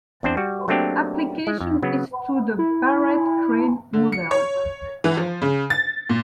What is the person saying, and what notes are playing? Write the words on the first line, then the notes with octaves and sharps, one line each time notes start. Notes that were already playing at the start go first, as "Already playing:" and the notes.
Application is to the Barrett-Crane model.
E2 C4 D4 C5
G3 F#4
F#3 A3 A#3 C4 D4 G4
G#3
F2
C#3 F#3 B3
E4
D3
C#7
C#5
E3
F3
C#3
A6
A#2